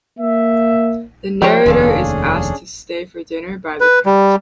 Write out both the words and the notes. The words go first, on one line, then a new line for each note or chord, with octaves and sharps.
The narrator is asked to stay for dinner by the count.
A#3 E5
F3 G3 A#4 C5 C#5 G5
F1 D#2 F3 C#4 D4 G#4 A4 F5
B4
G3